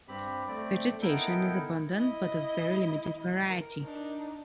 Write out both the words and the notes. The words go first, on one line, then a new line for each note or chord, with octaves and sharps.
Vegetation is abundant but of very limited variety.
G2 C4 G4 B5
A3 C4 D5
B3 D#4 E4 A4 A#4 G5
E4 D#5
A#4
D4 D#4